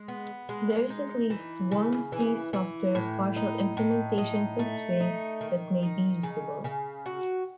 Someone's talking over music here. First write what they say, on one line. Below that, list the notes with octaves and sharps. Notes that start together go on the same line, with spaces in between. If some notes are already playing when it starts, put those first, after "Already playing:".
There is at least one free-software partial implementations of Swing that may be usable.
Already playing: G#3
B3
G#3
D#4
E3
C#3
E3
E3
A2
D#4
A2
D#4
A3
D#4
D#3
D#4
C#3
C#3
F#4